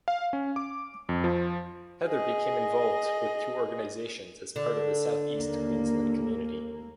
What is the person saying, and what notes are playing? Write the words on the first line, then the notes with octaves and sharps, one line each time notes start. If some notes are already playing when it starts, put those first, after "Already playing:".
Heather became involved with two organisations as part of the South East Queensland community.
F5
C#4
D6
F2
F3
G#4 D#5
D3
D#2 A#3